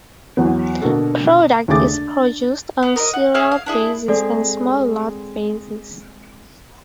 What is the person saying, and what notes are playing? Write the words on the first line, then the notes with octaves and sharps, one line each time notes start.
Product is produced on serial basis and small lot basis.
E2 F#3 B3
B2 D3 A#3 D4 F#4 A4
D#2 C#3 A3 G#4 D6 A6
D4
B3
A#4 B4 D#5
F#5
G#4 C#5 E5 F6
F5
D4 E4 G#4
G#3 C4 G#4 A4 D5